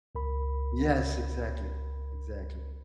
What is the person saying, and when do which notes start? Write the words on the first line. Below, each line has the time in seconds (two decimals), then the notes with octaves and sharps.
Yes, exactly, exactly.
0.15 C#2 A#4 B5